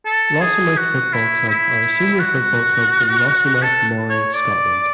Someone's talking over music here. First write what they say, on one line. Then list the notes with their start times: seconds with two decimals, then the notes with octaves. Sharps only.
Lossiemouth Football Club are a senior football club from Lossiemouth, Moray, Scotland.
0.06 A4
0.41 G#4
0.77 F#4
1.13 E4
1.48 E4
2.19 F#4
3.62 A4
4.09 C#5
4.34 D5